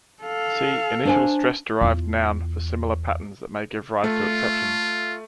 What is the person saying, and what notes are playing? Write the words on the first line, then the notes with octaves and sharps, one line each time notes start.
See initial-stress-derived noun for similar patterns that may give rise to exceptions.
A4 F5
D4 C5 G#5
E2 F4
A3 F4